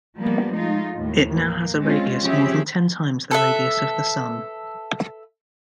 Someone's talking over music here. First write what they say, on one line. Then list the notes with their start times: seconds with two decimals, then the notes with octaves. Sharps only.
It now has a radius more than ten times the radius of the Sun.
0.19 F3 G3 G#3 A#3 B3
0.55 G#3 A3 D#4 F4
0.96 D#2 A2
1.33 A#3
1.81 G#3 C4 C#4 F4
2.25 F3 C4 C#4 G4 G#4 E5
3.31 A4 B4 E5